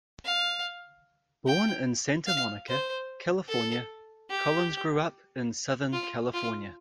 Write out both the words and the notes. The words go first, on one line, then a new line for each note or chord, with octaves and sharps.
Born in Santa Monica, California, Collins grew up in Southern California.
F5
G5
F5
C5
A4
G4
F4
F4